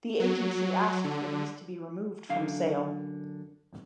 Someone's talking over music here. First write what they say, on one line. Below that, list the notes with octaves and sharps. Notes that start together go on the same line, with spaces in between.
The Agency asked for these to be removed from sale.
F#3
D3
F#2 D3 F5